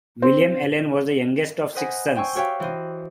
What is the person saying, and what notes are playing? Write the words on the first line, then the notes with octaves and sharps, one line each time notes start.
William Allen was the youngest of six sons.
C4
B4 C5 D#5 F#5 G#5 B5
C5 G5 G#5 C#6 E6
F#4 G4 C#5 E5 F5 G5
E3 C5 D#5